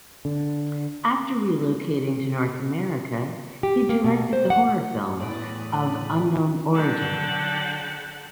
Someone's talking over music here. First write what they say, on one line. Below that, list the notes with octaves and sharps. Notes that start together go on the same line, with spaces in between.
After relocating to North America, he directed the horror film "Of Unknown Origin".
D3
G4
A#3
B2
C5
F#5
E2 A2 D5 B5 D#6 F#6
D3 F#3 F#5 G5 A5 F#6